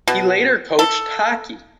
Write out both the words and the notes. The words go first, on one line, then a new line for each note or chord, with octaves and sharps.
He later coached hockey.
B2
A4